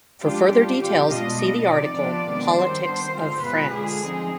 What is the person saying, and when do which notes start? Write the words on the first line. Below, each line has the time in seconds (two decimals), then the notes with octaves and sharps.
For further details see the article: Politics of France.
0.20 F3 G#3 D4 F4 G4
0.49 B2 G3 D4 F4
0.78 F3 C4 F4 G4
1.08 B2 G#3 B3 D4 F4 D#5
1.37 B2 B3 D4 D#5
1.66 C3 F3 C4 D#4 D5
1.95 F3 B3 D4 F4
2.24 C3 D#3 G#3 B3 D4
2.54 D#3 G3 C4 C5
2.82 D#3 B3 D4
3.12 D3 G#3 C4 F4
3.40 B2 G#3 B3 F4 B4
3.71 D3 G#3 D4 F4 G#4
3.99 F3 C4 D#4